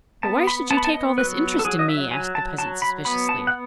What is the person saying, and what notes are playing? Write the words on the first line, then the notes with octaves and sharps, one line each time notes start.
'But why should you take all this interest in me?' asked the peasant suspiciously.
B3 A5
B5
B3 A5
B5
A5
D#5
F#3 B4
A4
F#3 G#4
D#5
E5
F#3 G#5
A5
F#3 A5
B5
B3 B5
A5
F#5